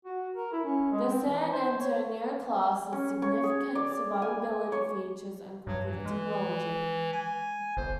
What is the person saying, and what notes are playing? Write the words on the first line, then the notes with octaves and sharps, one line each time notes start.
The "San Antonio" class has significant survivability features and computer technology.
F#4
A#4
E4
C#4
G#3
C4
E3
C5
C#5
C#4
C#5
G#4
D5
G#5
C#5
G2 F#3
E3
G#3
G#5
G1 C5